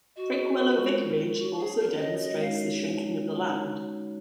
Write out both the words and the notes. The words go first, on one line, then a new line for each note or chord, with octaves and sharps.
Prickwillow vicarage also demonstrates the shrinking of the land.
F#4 D#5
G#4
C#4
F4
G#3
G#4
G#3
D#4
F4
F#4 C#5
F#4
G#4
A#3
A#4
C#4
C#5 D#5
F#4
D#5
G#3
D#4 F5